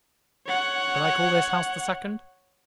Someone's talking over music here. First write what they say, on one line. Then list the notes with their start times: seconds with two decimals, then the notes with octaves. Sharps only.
Did I call this house the second?
0.47 C#5 F#5